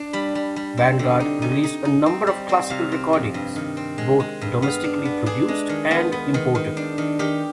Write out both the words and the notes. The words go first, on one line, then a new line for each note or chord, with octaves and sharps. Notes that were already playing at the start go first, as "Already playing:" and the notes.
Vanguard released a number of classical recordings, both domestically-produced and imported.
Already playing: D4
G3 B5
G3
G3
C4
D3
D#4
D#4 G#5
D#4
D#4
C4
G3
C4
C3 F5
C4
F2
G2
D#3
C4
G#3
G#3
G2
B3 F5
D4
B3
D4 G#4
G#3
D#3
B3 F4
B3
D#3
D#3
D4
D#3
D#3 G4